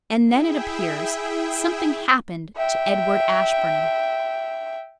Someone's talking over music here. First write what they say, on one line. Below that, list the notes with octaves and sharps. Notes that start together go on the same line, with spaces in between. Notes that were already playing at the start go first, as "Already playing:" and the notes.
And then, it appears, something happened to Edward Ashburnham.
E4 G#4 E5 G5
E5 G5